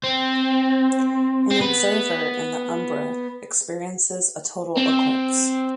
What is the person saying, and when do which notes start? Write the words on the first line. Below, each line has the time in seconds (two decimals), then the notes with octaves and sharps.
An observer in the umbra experiences a total eclipse.
0.04 C4
1.51 C4
1.61 B3
4.77 C4